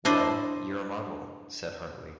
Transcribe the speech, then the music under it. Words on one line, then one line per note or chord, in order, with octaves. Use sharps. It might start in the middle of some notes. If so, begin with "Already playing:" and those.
"Well, you're a marvel," said Hartley.
D4 E4 C5 D#5